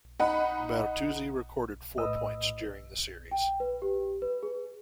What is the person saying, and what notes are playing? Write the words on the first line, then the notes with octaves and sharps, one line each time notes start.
Bertuzzi recorded four points during the series.
D#4 F#5 B5
A2 B4 D#5 D#6 E6
G5
B4
G4
B4
G#4